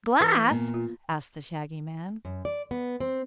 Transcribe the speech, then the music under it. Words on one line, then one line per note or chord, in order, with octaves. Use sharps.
"Glass?" asked the Shaggy Man.
E3 B4
A#2 A#3 B3
F4
F#2
D5
B3
C4